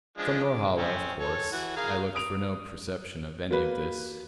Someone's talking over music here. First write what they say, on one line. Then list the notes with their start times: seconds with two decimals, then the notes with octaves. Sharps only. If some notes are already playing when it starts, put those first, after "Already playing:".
From Norhala, of course, I looked for no perception of any of this.
0.18 F3 G#3 D4
0.43 D6
0.78 C4 C#4
1.20 A4 C#5
1.52 E3 F#4
1.77 G#4 A#4 F5
2.15 D#6 D7 F7
3.51 A#3 F#4 B4